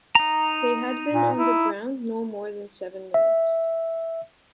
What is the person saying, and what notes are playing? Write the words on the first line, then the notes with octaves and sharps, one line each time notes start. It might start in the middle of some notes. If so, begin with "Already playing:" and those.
They had been on the ground no more than seven minutes.
D#4 A#5
A#2
E4
E5